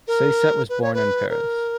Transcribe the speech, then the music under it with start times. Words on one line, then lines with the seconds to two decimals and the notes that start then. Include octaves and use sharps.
Saiset was born in Paris.
0.08 A#4
0.69 B4
0.82 C#5
0.94 B4
1.29 A#4